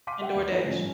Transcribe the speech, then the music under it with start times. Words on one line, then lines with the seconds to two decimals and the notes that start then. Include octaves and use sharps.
And DoorDash
0.07 F5 C6 D6 B6 D#7
0.21 G4 E5 F#5 G5
0.35 D#2
0.49 F3 D#4 E4 A4 B4
0.64 A2 D3 F3 C#4
0.78 G2 C#4